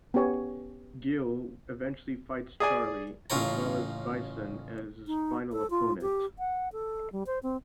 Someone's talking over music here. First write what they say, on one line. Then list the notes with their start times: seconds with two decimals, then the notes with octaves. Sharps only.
Guile eventually fights Charlie, as well as Bison as his final opponent.
0.14 B3 C#4 G4 C#5 G#5
2.60 G#4 D5 G#5
3.30 A1 C#3 F4 C#5 A#5
5.07 D#4
5.52 A4
5.70 F4
6.01 G4
6.39 F#5
6.72 A4
7.12 G3
7.26 C5
7.43 C4